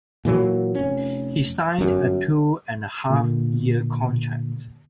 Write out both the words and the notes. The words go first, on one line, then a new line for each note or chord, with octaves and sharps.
He signed a two-and-a-half-year contract.
A#2 E3 F#3 A#3
F1 C#4
G1 F#2
A#2 D3 A#3